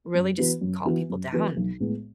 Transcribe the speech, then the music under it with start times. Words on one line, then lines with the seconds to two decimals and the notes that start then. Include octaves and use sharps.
really just calm people down,
0.15 F#2
0.38 E3 B3 F#4 B4
0.61 F#2
0.85 E3 B3 F#4 B4
1.10 F#2
1.32 E3 B3 F#4 B4
1.57 B1
1.80 A2 G#3 B3